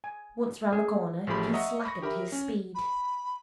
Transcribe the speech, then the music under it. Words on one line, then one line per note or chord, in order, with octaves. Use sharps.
Once round the corner he slackened his speed.
G#5
G#4
A1 F3 A3 G4 G#4 B5
D#5 E5 F#5 A#5 C#6 D#6
B5 C#6 A#6
G4 A#4 E5 B5
C#4
B5